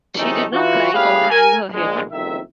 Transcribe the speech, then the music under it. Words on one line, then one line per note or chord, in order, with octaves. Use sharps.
She did not cry or hang her head.
F#2 C3 E3 G#3 A3 D#4
E3 F4 F#4
G1 A2 G4 G#4 B4 F5
A#4 G#5
A#1 G#3
F#1 C2 F2 D#3 E5